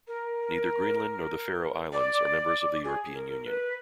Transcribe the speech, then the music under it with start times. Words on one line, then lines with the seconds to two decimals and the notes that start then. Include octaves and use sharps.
Neither Greenland nor the Faroe Islands are members of the European Union.
0.07 A#4
1.92 D5
2.84 G#4
3.15 A#4
3.45 B4